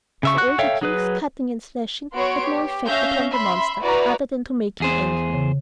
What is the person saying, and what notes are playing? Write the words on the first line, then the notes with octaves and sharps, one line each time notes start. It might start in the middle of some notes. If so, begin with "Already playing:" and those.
So all the King's cutting and slashing had no effect upon the monster other than to make him angry.
C#3 E5 C#6
F#4 C#6 F#6
A4 C#5 E5 F5 G5
F#3 G#4 B4
B3 F#4 C#5 C6 D7
G4
C#4 E5 F5 G6 A#6
E5 B5 C6
E4 F#4 B4 D5 A#5
E2 G#4 C5
C#3